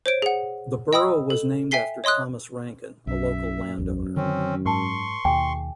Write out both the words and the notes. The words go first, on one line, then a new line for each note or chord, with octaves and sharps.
The borough was named after Thomas Rankin, a local landowner.
C5 C#5 D7
G#4 F#5
D#5 G5 B5 D#6 E6
A4
E5 G5 G#5 B6 C7 G7
C#5 D#5 C6 D#6 F#6
B1 F#2 E5
A1 E2
D3 D#3 C4 C#4
G#2 A#4 A5 C6 C#6
D#2 B2 G#4 G5 G#5